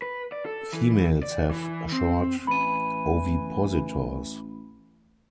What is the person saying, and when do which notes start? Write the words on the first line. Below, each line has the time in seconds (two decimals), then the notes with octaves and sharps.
Females have short ovipositors.
0.02 B4
0.32 D5
0.45 A4
0.73 E3
1.23 D5
1.51 E3
1.92 C4
2.47 A1 E3 B5 D#7